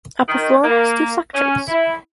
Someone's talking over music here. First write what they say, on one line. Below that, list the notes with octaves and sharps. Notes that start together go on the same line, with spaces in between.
Upper floor has two sections.
D#3
A#3
C#4
E4